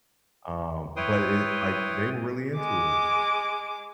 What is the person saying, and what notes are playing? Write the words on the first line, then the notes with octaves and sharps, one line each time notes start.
um but it's like, they were really into it.
E4 B4 C#5 G5 C6 D#6
G#3 D6